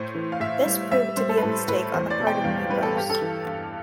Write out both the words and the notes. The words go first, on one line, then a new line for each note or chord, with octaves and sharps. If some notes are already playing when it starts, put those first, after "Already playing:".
This proved to be a mistake on the part of Nepos.
Already playing: A2 C5
E3
F5
A2 E5
G3
G3 E5
G3 C5
A4
B4
A2 A4
A2 B4
E2 C5
D5
B2
G5
E2 F5
G3 B4
A4
G2 G4
A4
E3
G2